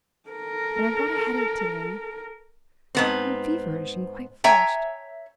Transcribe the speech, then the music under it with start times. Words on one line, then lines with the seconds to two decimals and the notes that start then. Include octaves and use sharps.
And I've got a headache to-day; I'm feverish and quite flushed...
0.29 A4 A#4
2.95 G#2 B3 C4
4.44 C#5 E5 G5 G#5 A#5